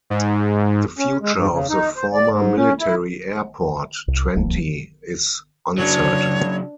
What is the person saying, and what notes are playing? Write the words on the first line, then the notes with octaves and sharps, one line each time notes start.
The future of the former military airport, Twente, is uncertain.
G#2
C#4
G#3
G2
C#3
D#4
C5
D5
G#2
C#4
E4
C2
D1 C2 F3 A#3
C#3 F#3 D4 C#5